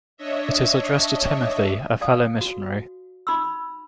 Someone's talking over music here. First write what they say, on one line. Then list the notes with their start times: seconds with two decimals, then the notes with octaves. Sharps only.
It is addressed to Timothy, a fellow missionary.
0.17 D4 C#5 D#5 E5
2.01 D5 F5 G#5 D#6
2.41 F#4
3.27 D#4 B5 C6 E6